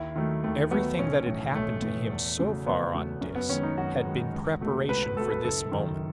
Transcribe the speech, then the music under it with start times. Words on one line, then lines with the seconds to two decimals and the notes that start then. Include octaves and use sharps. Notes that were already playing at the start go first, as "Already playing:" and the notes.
Everything that had happened to him so far on Dis had been preparation for this moment.
Already playing: D#2 E4
0.15 D#3 F#3 A3
0.44 D#2 A3
0.71 D#3 F#3 A3 B3
0.99 B1 C#4
1.26 A2 E3
1.55 B1 A3
1.82 A2 E3
2.11 E2
2.38 C#3 F#3 A3
2.66 E2 B3
2.94 C#3 F#3 A3
3.21 F#2 C#4
3.35 B3
3.49 D#3 G#3 C#4
3.63 D#4
3.78 F#2 F#4
4.05 D#3 G#3
4.33 C#2
4.61 B2 A3
4.88 C#2 B4
5.03 B4
5.16 B2 A3 A4
5.30 B4
5.44 F#1 A4
5.71 F#2 D#3